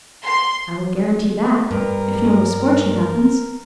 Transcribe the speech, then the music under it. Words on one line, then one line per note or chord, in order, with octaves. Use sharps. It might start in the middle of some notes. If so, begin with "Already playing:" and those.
"I will guarantee that, if no misfortune happens."
C6
G2 A#4